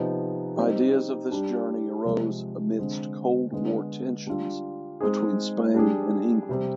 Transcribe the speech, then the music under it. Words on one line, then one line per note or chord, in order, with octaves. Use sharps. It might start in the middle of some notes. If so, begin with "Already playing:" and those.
Ideas of this journey arose amidst cold war tensions between Spain and England.
Already playing: C3 F3 B3 D#4
G3 C4 D#4
G3 D4 G4
C3 F3 G#3
D3 G#3 C4
D3 G#3 B3
G3 D4 F4
G#3 C4 D#4 G#4
G3 D4 G#4
C3 G3 C4